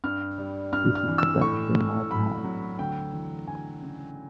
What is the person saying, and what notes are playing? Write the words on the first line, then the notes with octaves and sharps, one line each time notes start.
This is the best thing I have had.
G2 F6
G3
G2 F6
F6
E3
E6
A2 C#6
A2
F#3 B5
F#3
D2 G5
E3
D2 G#5
C#3